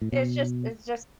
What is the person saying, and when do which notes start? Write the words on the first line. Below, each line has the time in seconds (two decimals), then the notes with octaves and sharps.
it's just it's just
0.01 A2
0.12 B2